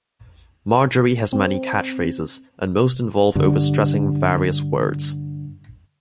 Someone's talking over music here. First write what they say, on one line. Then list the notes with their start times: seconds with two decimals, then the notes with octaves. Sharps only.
Marjorie has many catchphrases, and most involve over stressing various words.
1.33 C4
3.35 G2 D3